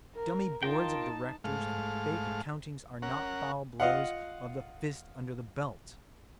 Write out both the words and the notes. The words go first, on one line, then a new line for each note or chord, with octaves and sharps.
Dummy boards of directors and fake accountings are not foul blows of the fist under the belt.
A#4
D#4 F4 A#4 G5 A5
G#2 A3 F5
C#4 A#4 F#5
F4 D#5 F5 F#5